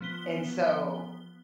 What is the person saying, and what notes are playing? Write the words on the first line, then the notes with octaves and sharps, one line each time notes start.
And so
F3 B3 G7